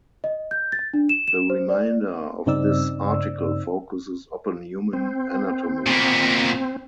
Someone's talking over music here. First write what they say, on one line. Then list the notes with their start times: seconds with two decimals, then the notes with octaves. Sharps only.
The remainder of this article focuses upon human anatomy.
0.24 D#5
0.51 G6
0.72 A6
0.94 D4
1.09 E7
1.28 E7
1.50 C5
1.69 D5
2.46 G2 C#3 C4 D#4 D5 E6
4.93 C4
5.86 A#2 B3